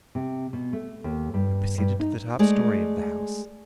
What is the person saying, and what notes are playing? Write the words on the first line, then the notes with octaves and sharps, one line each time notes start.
We proceeded to the top-storey of the house.
C3
B2
A3
D#2
G2
G2
D#4
G#3 A3 G#4 D5